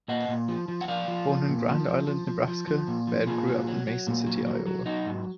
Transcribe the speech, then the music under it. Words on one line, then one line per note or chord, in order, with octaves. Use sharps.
Born in Grand Island, Nebraska, Baird grew up in Mason City, Iowa.
A#2 D#5 F#5
A#2
F3
F3
F#5
F3 D5 F5
F3
F3
A#2
F3
F3
F3
F3
F3
F3
A#2
F3
A#2 F4 G#4
F#3
F#3
F#3
A#2
F#3
F#3
F#3
F#3 D#4 F#4
G#2